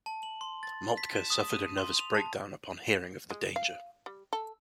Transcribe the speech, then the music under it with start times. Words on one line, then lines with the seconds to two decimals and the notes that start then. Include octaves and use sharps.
Moltke suffered a nervous breakdown upon hearing of the danger.
0.06 A5
0.23 F#7
0.41 C6
0.63 A6
0.97 B6
1.16 E7
1.30 D#6
1.50 D#7
1.78 C6
1.99 F7
2.15 A5
3.30 G#3
3.56 F5
4.06 G3
4.33 A4